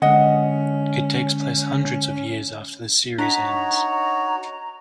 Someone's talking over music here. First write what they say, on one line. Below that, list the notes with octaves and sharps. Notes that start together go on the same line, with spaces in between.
It takes place hundreds of years after the series ends.
D3 G#3 C#4 D#5 F#5
D4 D#4 F#4 C#5 A#5 B6